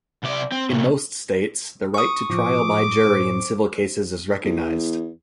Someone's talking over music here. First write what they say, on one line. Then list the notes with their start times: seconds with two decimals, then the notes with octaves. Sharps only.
In most states, the right to trial by jury in civil cases is recognized.
0.23 C2 D5
0.52 C4
0.70 A2 C3
1.94 C#6 D#6
2.30 A2 F3 D6
3.05 C5
4.44 E2